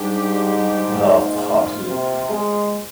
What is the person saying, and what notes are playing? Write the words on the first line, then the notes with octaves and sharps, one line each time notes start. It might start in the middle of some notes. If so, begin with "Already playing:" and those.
He laughed heartily.
Already playing: G#2 G3 D4 G4
A#3 F4 C5
C3
G#3